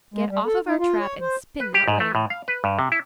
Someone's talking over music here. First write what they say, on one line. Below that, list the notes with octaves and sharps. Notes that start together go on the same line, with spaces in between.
"Get off of our trap and spin that wedding."
G#3
G3
A4
D#4
F4
C#5
C5
B4
G4
G#2
A3
A2
F5
B4
G2
C3
E4